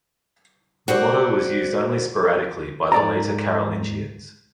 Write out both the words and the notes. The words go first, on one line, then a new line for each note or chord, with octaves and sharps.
The motto was used only sporadically by the later Carolingians.
F#4 C5 D5
G#2 D5 A#5